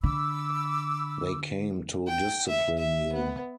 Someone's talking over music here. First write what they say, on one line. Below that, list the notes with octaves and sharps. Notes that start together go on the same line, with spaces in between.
They came to discipline you.
D3 B5 D6 E6
G5
E5
E5
B3